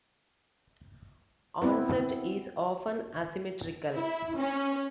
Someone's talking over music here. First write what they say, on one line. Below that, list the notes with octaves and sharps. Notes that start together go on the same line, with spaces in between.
Onset is often asymmetrical.
B3 C4 E4 B4
E4
C#4